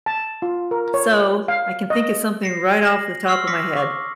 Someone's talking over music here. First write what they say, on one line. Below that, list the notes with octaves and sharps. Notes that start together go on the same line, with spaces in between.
So, I can think of something right off the top of my head.
A5
F4
A#4
C#5
F5
D#5
A#6 C7 C#7
A#6 F#7
C6 C#6 E6 F6 C7 F#7
D6 F6 A#6 B6 C#7
C#6 D6